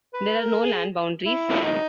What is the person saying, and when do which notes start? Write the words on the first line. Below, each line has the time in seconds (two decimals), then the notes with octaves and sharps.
There are no land boundaries.
0.14 B4
0.39 A#4
0.63 G#4
1.25 E4
1.64 D#4